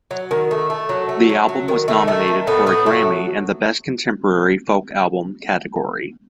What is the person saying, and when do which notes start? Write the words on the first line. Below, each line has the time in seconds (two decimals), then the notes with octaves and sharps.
The album was nominated for a Grammy in the Best Contemporary Folk Album category.
0.11 F#3
0.31 D#3
0.51 A3
0.70 A3
0.89 F#3
1.09 A3
1.29 F#3
1.49 F#3
1.68 D#3
1.88 D#3 A3
2.07 D#3 A3
2.28 D#3
2.47 A2 B3
2.66 A2 B3
2.86 F#3 A3